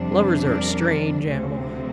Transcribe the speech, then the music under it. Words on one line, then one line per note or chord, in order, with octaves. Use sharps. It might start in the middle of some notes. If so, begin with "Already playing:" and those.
Lovers are a strange animal.
Already playing: F2 C3 G3 D4
A#4 D5
D2 C3 F3 C4